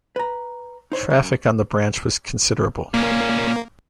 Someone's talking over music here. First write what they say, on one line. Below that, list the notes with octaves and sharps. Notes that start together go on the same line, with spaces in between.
Traffic on the branch was considerable.
B4 A#5
D#4 C5 C#5
F#2
A#2 A#3 C#4